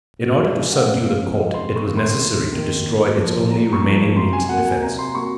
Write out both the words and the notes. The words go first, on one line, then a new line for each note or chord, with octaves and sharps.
In order to subdue the court, it was necessary to destroy its only remaining means of defence.
F#2 F#4
G#4
F3 G#3 F5
F#5
F#2 F5
F5
F3 G#3
D#5
C3 C6
C#6
D#3 A#3
C6
C3
D#3 A#3
A#2
F3 A#3
A#2 A#5
C#6
F3 A#3
A#5
C3 C6
G#5
F#3 A#3 F#5
G#5
C3 A#5
C6
F#3 A#3 C#6